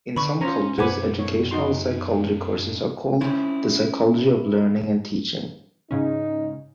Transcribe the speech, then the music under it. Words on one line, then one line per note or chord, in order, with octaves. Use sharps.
In some colleges, educational psychology courses are called "the psychology of learning and teaching".
D3 B4 B5 C#6
C#4 F4 C5 A#5
F#2 B2 B4 C5 F#5 G#5 B5 D6
C#5
D#4 F#4 C6
C4 C#4 E4 C5
G#2 C#3 C#4 D#4